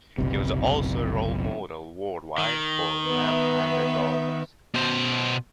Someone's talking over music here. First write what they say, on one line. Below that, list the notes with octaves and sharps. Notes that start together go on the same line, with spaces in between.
He was also a role model worldwide for left-handed golfers.
F#1 B1 C3
D#3
B3 E5
B2 C5